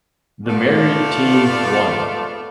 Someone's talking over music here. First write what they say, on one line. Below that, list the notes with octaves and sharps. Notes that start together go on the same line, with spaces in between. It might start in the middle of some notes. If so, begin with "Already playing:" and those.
The Married team won.
A3 B3 F4 D5